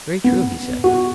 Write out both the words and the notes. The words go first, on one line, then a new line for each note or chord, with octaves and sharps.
Very true, he said.
B3
F#4